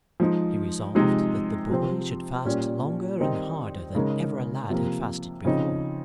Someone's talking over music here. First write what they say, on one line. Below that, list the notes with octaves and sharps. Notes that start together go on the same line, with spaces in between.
He resolved that the boy should fast longer and harder than ever a lad had fasted before.
F3 G#3 D#4
C3 F3 G#3 D#4
C3 F3 C4
A#2 G3 C#4
D#3 G3 C4 D#4
C#3 G#3 D#4 A#4
C3 F3 A#3
C#3 F3 C4 D#4